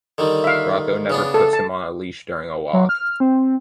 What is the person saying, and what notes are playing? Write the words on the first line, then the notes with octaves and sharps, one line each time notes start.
Rocko never puts him on a leash during a walk.
D3 D#3 G3
E5 F5
C#3 B3 D4
A4
A5
F#3
F6
C4